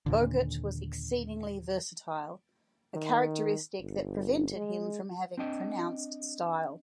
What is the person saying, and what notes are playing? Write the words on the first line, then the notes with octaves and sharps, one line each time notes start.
Bogert was exceedingly versatile, a characteristic that prevented him from having pronounced style.
D#2 A#2 D3
D#3
G1
G#3
C4 D4 D#5 G5